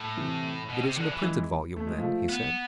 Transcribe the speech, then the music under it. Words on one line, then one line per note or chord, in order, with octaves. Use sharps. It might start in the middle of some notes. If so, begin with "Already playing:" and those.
"It isn't a printed volume, then?" he said.
Already playing: A2
C3 E3
B2
C3
D3
E3
E3 G#3
A3
G#3
F3 A3
B3